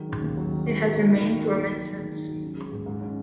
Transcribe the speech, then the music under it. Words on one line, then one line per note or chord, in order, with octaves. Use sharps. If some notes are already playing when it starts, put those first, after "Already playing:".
It has remained dormant since.
Already playing: D#3 F#3 G#3
C#4
D#2
F#3
D#3
F#4
A#3
D#3
D#3
F#4
A#3
D#4
F#3
G#4
D#3
D#4
F#3
C#4
G#3
G#2
G#2
C#4